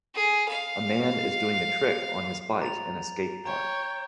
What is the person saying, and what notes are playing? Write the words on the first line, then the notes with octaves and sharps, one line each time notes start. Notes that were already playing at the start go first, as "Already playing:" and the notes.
A man is doing a trick on his bike in a skatepark.
G#4
F5
A#5 A6 F7
C#5 G5 A#5